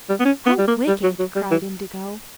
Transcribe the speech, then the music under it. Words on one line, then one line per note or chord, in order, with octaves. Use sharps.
"How wicked!" cried Indigo.
G3
B3
C#4
B3
G3
A#3
G3
F#3
F#3
G3
E3